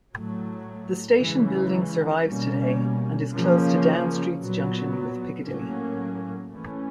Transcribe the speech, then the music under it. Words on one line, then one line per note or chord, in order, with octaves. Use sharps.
The station building survives today and is close to Down Street's junction with Piccadilly.
A2 F#3 A3
C#3 E3 G#3 C#4
B2 G3 A#3 C#4
C#3 F3 A#3 C#4
A#2 F#3 B3
A2 F#3 A#3 C#4
E3 A3 C#4